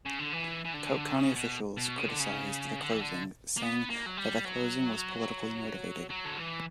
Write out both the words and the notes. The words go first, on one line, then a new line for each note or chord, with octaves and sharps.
Coke County officials criticized the closing, saying that the closing was politically motivated.
C#3
D3
E3
E3
D3
C#3
B2
B2
C#3
D3
C#3
D3
E3
D3
A#3
B3
A#3
F#3
G3
F#3
F#3
D3
E3